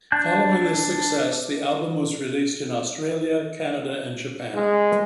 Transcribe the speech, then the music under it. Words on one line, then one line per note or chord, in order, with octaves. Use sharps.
Following this success the album was released in Australia, Canada and Japan.
D4 A5 F#6 G6
G#3